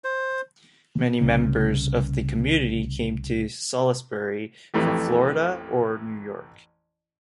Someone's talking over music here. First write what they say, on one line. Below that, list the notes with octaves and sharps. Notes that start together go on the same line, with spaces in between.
Many members of the community came to Salisbury from Florida or New York.
C5
C2 C#3 A#3
A1 F2 E3 A3 G4